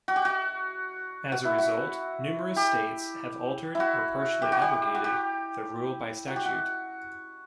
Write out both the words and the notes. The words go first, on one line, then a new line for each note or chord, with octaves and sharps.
As a result numerous states have altered or partially abrogated the rule by statute.
F#4
G4
F#4
F#4
E4
F#4
G4
E4
F#4
G4
F#4
G4
F#4
G4
F#4
G4
F#4